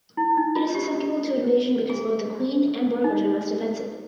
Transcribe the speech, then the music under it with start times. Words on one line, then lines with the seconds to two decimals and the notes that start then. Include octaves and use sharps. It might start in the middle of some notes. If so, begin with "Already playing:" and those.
It is susceptible to invasion because both the queen and workers are less defensive.
0.17 E4
0.37 D#4
0.56 F4
0.75 G4
1.90 G#4
3.04 D#4